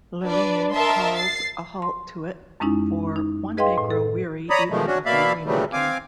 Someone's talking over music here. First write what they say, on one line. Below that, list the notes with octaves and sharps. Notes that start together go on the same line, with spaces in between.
Lurlene calls a halt to it, for "one may grow weary even of merrymaking".
D4 B4 D5
A#4 D#5 E5 A5 C6
A6 C7
C6
F#2 G#3 C#4 D#4 E4
D#4
G#4 B4 D#5 F5 G5 C6
A2
A4
C#5 D5 A#5 B5 D#6
B2 D#3 F3 G#3 A3
C#4 D4 F#4
B2 A#3 D5 E5 F5 B5
A#2 C#3 E3 F#3 G3 A3
C4 F5 G#5 D6